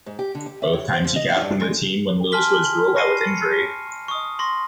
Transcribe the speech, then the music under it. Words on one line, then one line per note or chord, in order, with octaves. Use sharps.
Both times he captained the team was when Lewis was ruled out with injury.
G#2
G4
D3
G4
E5
C#5
C5
F3
D#5
E5
G2
G#3
G#5 A5 C6 F6 B6 G7
B5 C#6 A#6 C7 D#7
C#7
C#6 D#6
C6 C#6 A#6